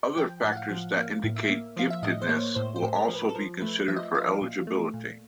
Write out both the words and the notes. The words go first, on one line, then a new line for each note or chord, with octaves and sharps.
Other factors that indicate giftedness will also be considered for eligibility.
F3 G5
A2
F#5
F5
F3
A#3 F5
A2
E5
A#3
F3 F5
E5
A2 D#5
C5
A#3 C#5
A2 C5
C5
A2
A#4
F3
B4
A4
F3 A#4
A3 B4
F3 E5
D#5
E5
F3 F5
A#2
A3
A#2